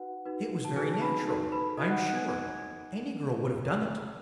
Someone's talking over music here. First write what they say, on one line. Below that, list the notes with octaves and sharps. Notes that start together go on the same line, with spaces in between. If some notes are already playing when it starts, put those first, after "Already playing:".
It was very natural, I'm sure; any girl would have done it.'
Already playing: D#4 F#4 B4 F#5
D#4 F#4 B4
A5
D#4 F#4 G#4 B4 G#5
A5
B4 B5
D#4 F#4 A4 B4 A5
B4 B5
D#4 F#4 A4 D#5 D#6
F#5 F#6
F#5 F#6
G#5 G#6